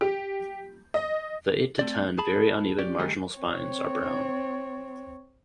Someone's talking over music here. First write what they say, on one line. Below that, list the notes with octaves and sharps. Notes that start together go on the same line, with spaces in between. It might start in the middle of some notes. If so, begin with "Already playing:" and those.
The eight to ten very uneven marginal spines are brown.
G4
D#5
A3 C4 D5
G#4 A5 B5
C#4 G4 D5
D#3 G3 A3 D#4 G4 G#4
C4 C#5